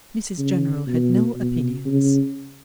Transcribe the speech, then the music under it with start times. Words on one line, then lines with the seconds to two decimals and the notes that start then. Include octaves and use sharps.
Mrs General had no opinions.
0.38 C#3
0.88 B2
1.36 B2
1.85 C#3